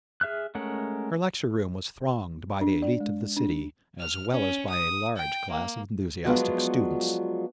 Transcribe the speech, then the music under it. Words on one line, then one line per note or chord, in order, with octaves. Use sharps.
Her lecture room was thronged by the elite of the city, as well as by a large class of enthusiastic students.
G#4 E5 F6 F#6
G#3 A3 C#4 A#4 F#5
D4
D5
G#3
D4
F6
C#4
D#6
G5
A#3
F3 F#3 G#3 B3 D4 F4